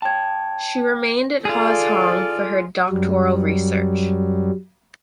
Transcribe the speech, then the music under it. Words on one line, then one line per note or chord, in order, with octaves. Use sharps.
She remained at Huazhong for her doctoral research.
C#5 G5 A5 G#6
F4 G#4 A4 D5
F#2 F#3 G3